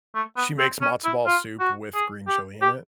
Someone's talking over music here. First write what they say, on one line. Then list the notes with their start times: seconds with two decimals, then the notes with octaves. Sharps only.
she makes matzo ball soup with green chili in it
0.15 A3
0.37 B3
0.59 C4
0.81 C#4
1.04 E4
1.26 F4
1.60 F#4
1.94 G#4
2.27 G4
2.62 G4